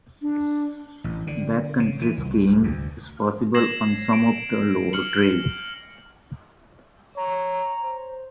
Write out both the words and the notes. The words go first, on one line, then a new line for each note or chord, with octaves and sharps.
Backcountry skiing is possible on some of the lower trails.
D4
A1
D3
C#3
E3
C2
D2
G#6 A#6 C7 E7 F#7
D7
F6 C#7 F#7
C#5 A#5
C5